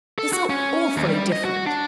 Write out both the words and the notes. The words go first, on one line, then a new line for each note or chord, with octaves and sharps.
They're so awfully different!'
A4
F#4
C#4
D#2
G3
D#5
F#4
D4